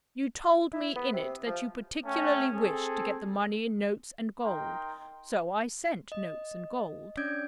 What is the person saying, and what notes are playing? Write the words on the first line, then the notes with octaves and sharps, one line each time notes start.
You told me in it that you particularly wished to get the money in notes and gold; so I sent notes and gold.
E4
B3
C3
F3
A3 C#4 G5
C4 G#4 A4
D#4 A#4 G5 C6
D#5
C#4 D4 D5 G6 G#6 D7